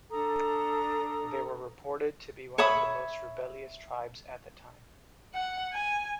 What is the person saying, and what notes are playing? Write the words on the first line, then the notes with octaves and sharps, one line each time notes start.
They were reported to be one of the most rebellious tribes at the time.
D4 A4 A#5 D#6
C#5 E5 B5 D#6
F#5
G#5